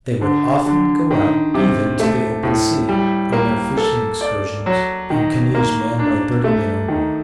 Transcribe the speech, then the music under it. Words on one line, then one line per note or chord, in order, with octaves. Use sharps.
They would often go out even to the open sea on their fishing excursions in canoes manned by thirty men or more.
D3
D3
D#3
C3
A3
A2
G3
A#3
A4
D5
F#3
D#3
A#3
D4
A3
D#3